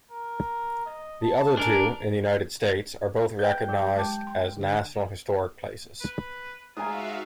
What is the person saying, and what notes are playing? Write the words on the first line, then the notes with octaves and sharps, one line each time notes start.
The other two, in the United States, are both recognized as national historic places.
A#4
D#5
A5
D4 A#4 G#5
B4 D5 G5 G6
F#3 G4
G#3 A5 D6
C6
D3
B4
G#2 F4 F#4 E5 F5 G#5 A#5 D#6